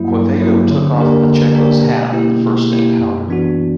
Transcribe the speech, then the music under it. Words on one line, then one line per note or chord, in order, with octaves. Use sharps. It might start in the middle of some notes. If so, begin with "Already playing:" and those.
Quevedo took off Pacheco's hat in the first encounter.
Already playing: G2 F#3 A#3 E4
G2
F#3 A#3 E4
D3
A#3 D4 G4 A#4
D3
A#3 D4 G4 A#4
B2
A#3 E4 G4
B2
A#3 E4 G4
F#2
E3 B3 D4 F#4